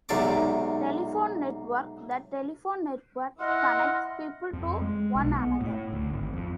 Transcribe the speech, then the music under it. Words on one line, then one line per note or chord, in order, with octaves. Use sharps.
Telephone network: the telephone network connects people to one another.
B1 G#2 C3 A3 D5 D6
E4 D#5 F#5 C6 F6
F2
G#3
B1
B3
A2
D2
G#1
F2